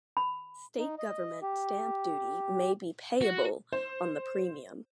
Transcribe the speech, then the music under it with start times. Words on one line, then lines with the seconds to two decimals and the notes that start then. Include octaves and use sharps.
State government stamp duty may be payable on the premium.
0.17 B5
0.78 D#4
0.99 D#5
1.42 G4
3.21 F#4
3.72 C5